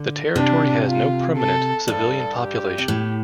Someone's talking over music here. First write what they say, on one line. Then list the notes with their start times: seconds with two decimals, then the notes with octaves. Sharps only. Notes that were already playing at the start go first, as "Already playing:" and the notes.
The territory has no permanent civilian population.
Already playing: D3
0.36 C3 D4
0.87 F4
1.37 A4
1.88 G2 A4
2.39 G4
2.78 C3
2.88 A2